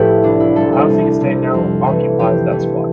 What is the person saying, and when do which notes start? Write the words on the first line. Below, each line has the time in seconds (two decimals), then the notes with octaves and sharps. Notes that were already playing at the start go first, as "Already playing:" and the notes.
A housing estate now occupies that spot.
Already playing: A1 A2 F3 A3 E4 G4 A4
0.23 C2 D4
0.40 E4
0.56 C3 G3 A4
0.72 A4
0.89 C2
1.21 C3 G3
1.54 F2
1.87 E3 A3
2.19 F2 G4
2.52 E3 A3